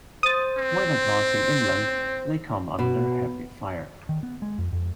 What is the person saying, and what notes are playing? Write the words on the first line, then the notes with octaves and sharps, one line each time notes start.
While advancing inland, they come under heavy fire.
C5 D#6 A6
C4
B2
D#3
B3
G#3
F2
F2